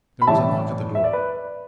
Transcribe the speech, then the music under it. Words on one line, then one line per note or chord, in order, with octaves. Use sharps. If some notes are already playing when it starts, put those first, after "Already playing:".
There was a knock at the door.
B5
A2 E3 G3 E5 A5
E5
D5
B4